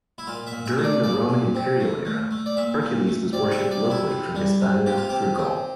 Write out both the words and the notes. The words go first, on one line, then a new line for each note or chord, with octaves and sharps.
During the Roman Imperial era, Hercules was worshipped locally from Hispania through Gaul.
E4
A#2 F4
E5
A#2
E5
A3
D5
A#2 D5
A#2
C4
A3
A3
A3
D5
A#2 E5
A#2
A3
C3 D5
E5
G3
D5
C3
E4
C3
G3
C3
C3 G4
F4
C3 G4
C4